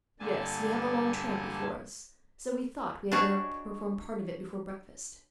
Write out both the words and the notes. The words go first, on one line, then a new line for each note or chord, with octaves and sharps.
"Yes, we have a long tramp before us, so we thought we had better perform part of it before breakfast."
G2 A#2 D3 G#5 A5
D4 D#4 F#4 G#4 C#5